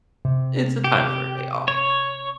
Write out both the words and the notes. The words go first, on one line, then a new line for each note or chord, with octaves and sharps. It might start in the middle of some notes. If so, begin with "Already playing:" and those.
it's a time for a day off",
C3
G4
C#5